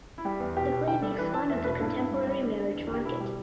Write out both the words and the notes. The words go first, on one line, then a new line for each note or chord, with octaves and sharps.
The play makes fun of the contemporary marriage market.
E4
G3 G4
E2
B2 G4
B2
D3 G5
G3 A4
E3 B4
E3 A5
E2 E5
B2 B4
G2 E4
G2
G3
G3
D3
D3
E2
D3 G4
B2 E4
G3 G4